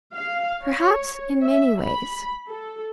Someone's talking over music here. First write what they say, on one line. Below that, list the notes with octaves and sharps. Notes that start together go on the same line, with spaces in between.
Perhaps in many ways.
F5
C#5
E5
B5
A4